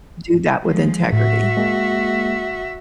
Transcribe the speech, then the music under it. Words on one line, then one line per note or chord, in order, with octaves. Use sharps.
do that with integrity.
F3 G#3
A2 F#4 E5
G#3 A#3